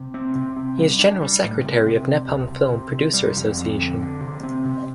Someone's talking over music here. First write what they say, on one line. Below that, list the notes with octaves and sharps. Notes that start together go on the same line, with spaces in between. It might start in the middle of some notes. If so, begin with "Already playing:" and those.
He is General Secretary of Nepal Film Producer Association.
Already playing: C3
C4
C3
C4
G3
D4
G3
A2
C3
C3
C3
C2
C3
C3
C3
G3
F2
F2
D3
D3
C3
C4
C3